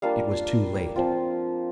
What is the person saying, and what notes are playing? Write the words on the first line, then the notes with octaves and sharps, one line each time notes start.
It was too late.
G3 A#3 D4 F4 F5
F3 C4 F4